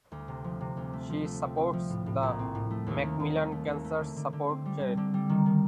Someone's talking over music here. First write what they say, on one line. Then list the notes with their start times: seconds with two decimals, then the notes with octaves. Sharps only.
She supports the Macmillan Cancer Support charity.
0.12 D2
0.28 C3
0.44 F3
0.61 C3
0.77 D2
0.93 A3
1.10 F3
1.25 A3
1.42 C4
1.57 C4
1.73 F3
1.90 A2
2.06 A2
2.23 A#1
2.39 C4
2.55 A2
2.71 A3
2.87 D#2
3.03 D#3
3.20 D#2
3.35 A3
3.52 A3
3.68 D#2
3.84 A3
4.00 D3
4.16 D3
4.33 D3
4.49 C4
4.65 G3
4.81 D3
4.97 D3
5.14 G3
5.29 D#3
5.46 D#3